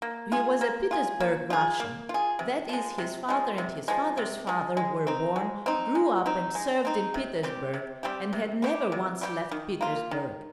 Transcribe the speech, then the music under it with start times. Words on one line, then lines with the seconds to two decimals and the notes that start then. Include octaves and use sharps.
He was a Petersburg Russian; that is, his father and his father's father were born, grew up and served in Petersburg and had never once left Petersburg.
0.02 A#3
0.32 F4 G#4
0.61 A#3
0.91 F4 G#4
1.20 A#3
1.50 F4 G#4
1.80 A#3
2.09 F4
2.14 G#4
2.39 C3
2.69 F3 G#3
2.98 C3
3.29 F3 G#3
3.58 C3
3.88 F3 G#3
4.17 C3
4.47 F3 G#3
4.77 G#3
5.07 C4 D#4
5.36 G#3
5.66 C4 D#4
5.95 G#3
6.26 C4 D#4
6.55 G#3
6.85 C4 D#4
7.14 C3
7.43 G3 C4 G4
7.74 C3
8.03 G3 C4 G4
8.33 C3
8.62 G3 C4 G4
8.92 C3
9.21 G3 C4 G4
9.51 D#3
9.81 A#3 F4
10.11 D#3